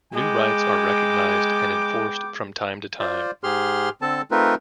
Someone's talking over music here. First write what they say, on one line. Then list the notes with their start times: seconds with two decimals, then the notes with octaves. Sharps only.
New rights are recognized and enforced from time to time.
0.13 G#3 B3 G5 D6
2.99 F4 C5 D5
3.43 G#2 G4 G#4 C6 F6
4.01 D3 C4 A4 A5
4.31 A3 C4 D#4 F4 A#4 B4